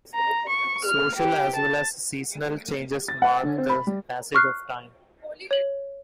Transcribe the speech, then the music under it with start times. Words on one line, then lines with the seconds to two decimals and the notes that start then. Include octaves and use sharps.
Social as well as seasonal changes mark the passage of time.
0.14 A#5
0.49 C#6
0.85 F6
1.16 G4
1.56 A5
3.08 A6
3.22 F#5
3.43 D3
3.58 C4
3.69 B5
3.87 G3
4.35 C#6 F6 F#6 C7
5.51 C#5 F#7